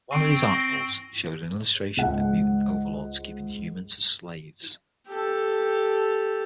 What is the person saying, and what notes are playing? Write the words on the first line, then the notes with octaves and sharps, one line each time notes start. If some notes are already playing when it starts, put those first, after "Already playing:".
One of these articles showed an illustration of mutant overlords keeping humans as slaves.
C4 C#6 C7 D7
A#6 G7
C#2 G#2 F#5
G4 A4